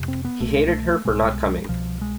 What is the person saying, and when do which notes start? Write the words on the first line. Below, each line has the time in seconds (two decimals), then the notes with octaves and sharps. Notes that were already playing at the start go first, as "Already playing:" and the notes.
He hated her for not coming.
Already playing: F2 C3
0.08 C4
0.24 B3
0.40 C2 B2 A3
0.53 G#3
0.68 A3
1.05 C2 B2 G#3
1.69 C2 B2 F3
2.01 G#3